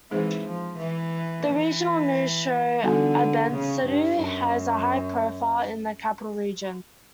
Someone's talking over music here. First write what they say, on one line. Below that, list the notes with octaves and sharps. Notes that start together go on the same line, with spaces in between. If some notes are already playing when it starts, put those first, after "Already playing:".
The regional news show "Abendschau" has a high profile in the capital region.
E3 G#3 C4 D#4 G#4 C5
F3
E3
E3
D3 G3 B3 D#4 F#4 A4
C#3
G2
F#2